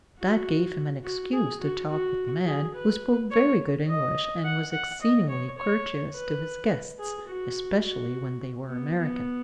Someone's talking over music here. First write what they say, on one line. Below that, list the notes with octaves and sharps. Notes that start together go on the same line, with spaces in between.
That gave him an excuse to talk with the man, who spoke very good English and was exceedingly courteous to his guests--especially when they were American.
F#4
F#4
G#4
F#4
F#4
G#4
B4
C#5
D#5
F#5
F#5
D#5
C#5
C#5
B4
G#4
F#4
F#4
B3
B3